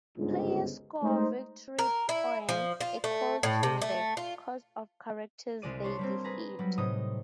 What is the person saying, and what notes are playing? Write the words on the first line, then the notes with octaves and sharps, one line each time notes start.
Players score victory points equal to the cost of characters they defeat.
G1 C#2 G#2
G#3 A3 D#4 C5
A#4
E4
F3
F4
A3
A2
C3
A3
F4
C2 G#3 D5 D#7
D4 C#5 C6
G3 A#3 C4
G#4 B4 A#5
F#3 G3
A2 C3 D#4 D#6